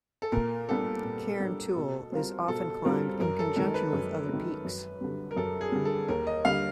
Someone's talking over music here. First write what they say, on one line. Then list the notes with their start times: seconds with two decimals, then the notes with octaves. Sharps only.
Cairn Toul is often climbed in conjunction with other peaks.
0.22 A4
0.32 A#2 A#4
0.69 G3 B3 D4 G4 A4
1.04 A#2
1.40 G3 B3 D4 G4
1.76 B2
2.12 G3 C4 F4 A#4
2.48 B2 A4
2.85 G3 C4 F4 A#4
3.20 F#2 A#4
3.39 A4
3.56 D#3 G#3 A#4
3.74 B4
3.93 F#2
4.29 D#3 G#3
4.65 F#2
5.01 D3 G3
5.31 A#4
5.36 F#2 A4
5.61 G#4
5.72 D3 G3
5.85 A4
6.08 D#2 A#4
6.27 D#5
6.45 D3 G3 F5